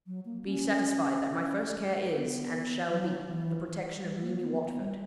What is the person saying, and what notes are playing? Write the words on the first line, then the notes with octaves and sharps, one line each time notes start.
Be satisfied that my first care is, and shall be, the protection of Mimi Watford.
F#3
A#3
C#4
B3
F#3
E3
E3
G3
A#3
B3
B3
G3